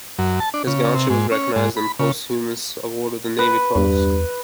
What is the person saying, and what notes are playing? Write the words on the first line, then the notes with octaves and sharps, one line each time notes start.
His gallantry was recognized in the posthumous award of the Navy Cross.
F#2
A5
D4
C#3
C3
G#2
C#4
G#2
B5
C#3
B4
E2 G2